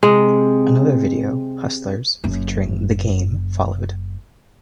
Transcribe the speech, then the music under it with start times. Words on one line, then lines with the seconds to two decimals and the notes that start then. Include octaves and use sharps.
Another video, Hustlers, featuring The Game, followed.
0.03 C3 G#3
2.24 F#1 F#2